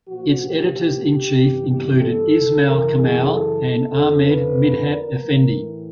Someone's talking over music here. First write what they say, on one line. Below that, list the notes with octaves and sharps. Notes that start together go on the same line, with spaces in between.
Its editors in chief included Ismail Kemal and Ahmed Midhat Efendi.
A#2 F3 F#4
G4
G4
G4
G2 E3
G4
A4
F#2 C#3 E3 A#4
G#4
A4
F2 D3 F3 A4
B4
A#4
A2 E3